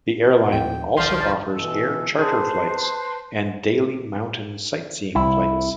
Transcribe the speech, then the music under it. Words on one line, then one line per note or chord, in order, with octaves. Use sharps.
The airline also offers air charter flights and daily mountain sightseeing flights.
D#2 F3 C4 G5
D#1 B1 D#3 F3 D5 C6 F6 G6
B2 E3 A4
G#4 B4 C5 A5
C2 E4